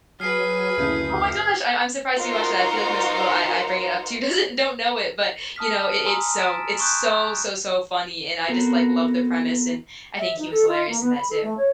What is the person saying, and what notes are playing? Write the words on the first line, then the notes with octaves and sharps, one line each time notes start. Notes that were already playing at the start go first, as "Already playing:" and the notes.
oh my gosh, I I'm surprised you watched that, I feel like most people I I bring it up to doesn't don't know it, but, you know, it it's so it's so, so, so funny, and I just, like, love the premise and I think he was hilarious in that too.
F#3 G#4 B4 F6 C7
F#1 D2 C#3 E4 D#6 G6 B6
D#4 F4 F#4 A#4 C5
A5 D#6 F6 B6
G#5 A#5 C6 D#6 E6
A6 B6 D7 E7
C6 C#6 D#6 F#6 G6
B3 C4 F#4 A4 A#4
E5
D#4
A4
F4
A#3
B3
B5
A4
A3
C#5